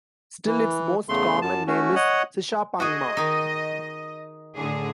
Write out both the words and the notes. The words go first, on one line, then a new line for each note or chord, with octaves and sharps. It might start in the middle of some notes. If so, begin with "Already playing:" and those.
Still, its most common name is Shishapangma.
E3
E2 C#3 A3 C6
F#2 A5
A3 C#4 F#4
C#5 D#5 F#5
F#4 G#4 D#5
D#3 D#4
A2 D3 G#4